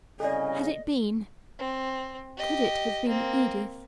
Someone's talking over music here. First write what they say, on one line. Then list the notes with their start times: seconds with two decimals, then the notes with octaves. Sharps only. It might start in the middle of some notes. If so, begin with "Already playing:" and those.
Had it been--could it have been Edith?
0.20 C2 C#3 A4 D5 D#5 G#5
1.59 C4
2.37 G4 D#5
3.08 A#3 C4